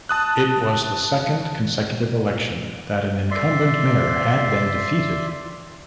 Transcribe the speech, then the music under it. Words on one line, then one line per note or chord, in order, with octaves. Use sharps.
It was the second consecutive election that an incumbent mayor had been defeated.
A5 D#6 F#6
D5 E5 C6